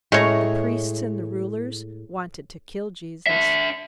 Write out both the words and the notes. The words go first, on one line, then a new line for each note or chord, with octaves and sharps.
The priests and the rulers wanted to kill Jesus.
A2 G#3 G#4 C#5 A#5
D4 E5